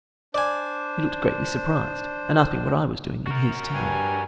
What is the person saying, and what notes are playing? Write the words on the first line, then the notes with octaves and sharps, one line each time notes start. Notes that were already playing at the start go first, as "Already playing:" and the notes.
He looked greatly surprised and asked me what I was doing in his town.
D4 C5 D5 G#5
F#4 A#4
G2 G#5